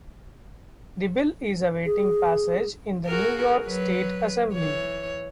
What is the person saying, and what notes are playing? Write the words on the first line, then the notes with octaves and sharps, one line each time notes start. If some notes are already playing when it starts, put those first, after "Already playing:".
The bill is awaiting passage in the New York State Assembly.
G#4
F#4 G#4 A#4
F#3 B4
E3 C#5